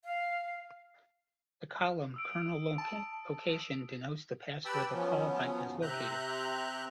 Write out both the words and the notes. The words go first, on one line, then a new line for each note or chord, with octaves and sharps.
The column "Colonel location" denotes the pass where the col height is located.
F5
D#6 E6 D7
A5
D#6
G4 B4 G5 A5 B5 E6
F3 F#3 B3 C#4
E2 G#2 C#3
C3 C4 E5 A#5 F#6 G6